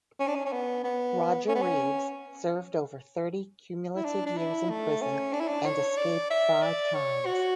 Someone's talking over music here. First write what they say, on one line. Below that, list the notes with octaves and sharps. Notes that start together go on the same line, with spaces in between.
Roger Reaves served over thirty cumulative years in prison and escaped five times.
C#4
D4
C#4
C#4
B3
B3
C#4
B3
C#4
E4
D4
D4
E4
A3
C#4
D4
E4
D4
C#5
D5
E5
D5
C#5
F#4